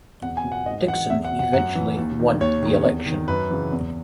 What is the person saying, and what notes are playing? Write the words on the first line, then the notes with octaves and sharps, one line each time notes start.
Dixon eventually won the election.
E2 F#5
G#5
B2
F#5
G#2 D#5
E3 F#5
E2 E5
F#5
B2
F#5
F#2 F#5
E3
D#2
D#3
D#2 C#5
D#3
E2
D#3
F#2 B4
C#3 E3
E2